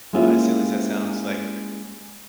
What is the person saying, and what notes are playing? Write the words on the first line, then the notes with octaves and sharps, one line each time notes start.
Uh, as silly as that sounds like,
G#3 A#3 C#4 E4 F4 G4